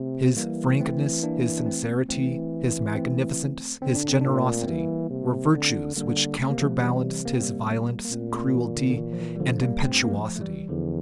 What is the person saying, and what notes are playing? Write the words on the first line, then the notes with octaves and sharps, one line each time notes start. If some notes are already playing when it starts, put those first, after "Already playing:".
His frankness, his sincerity, his magnificence, his generosity, were virtues which counterbalanced his violence, cruelty, and impetuosity.
Already playing: C3 A3 C4
E3 G3 A#3
A3 C4
A#3 D4
D4
A3 C4
E3 A3 C4
A3 C4
D3 C4
D4
C4
A#2 D4
A3 C4
C4
E3 G3 A#3
C3
D3 A3 C4
D3 G3 A#3
C3 A3
A#3
F3 A3
E3 G3
A#3
C4
G3 A#3
A#3
A#2 A3 C4
A3 C4
E3
D3
D3
E3
F3
E3
G3
D3 F3
G3 A#3
G2 A3 C4
A#3
F3 A3
A3
E3 G3
E2 D3 F3